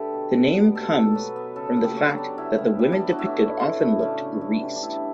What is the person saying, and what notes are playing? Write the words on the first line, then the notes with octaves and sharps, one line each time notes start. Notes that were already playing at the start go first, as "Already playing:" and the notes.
The name comes from the fact that the women depicted often look "greased".
Already playing: D3 A3 G4 A4 B4
B2
G3
B3
B2 A4
B2
F#3 B4
B3
C#3 A4
C#3
G4
F#3
D4
B3
C#3 E4
C#3
G3
D4
B3
F#4
A2 E4
A2
E3
A3
C#3 D4
C#3
E3
G3
D4
A2 E4